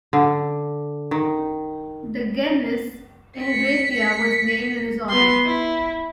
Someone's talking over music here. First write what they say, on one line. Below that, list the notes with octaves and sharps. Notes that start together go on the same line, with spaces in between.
The genus "Ehretia" was named in his honour.
D3
D#3
B6 C#7
B3 C6
E4